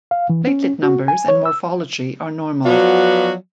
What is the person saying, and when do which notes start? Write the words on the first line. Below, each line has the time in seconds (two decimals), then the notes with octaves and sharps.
Platelet numbers and morphology are normal.
0.11 F5
0.30 E3
0.47 C#4
0.83 F#4
1.08 G#5
1.28 C#5
1.45 E6
2.65 F3 F#3 B3 F#4 D5 F5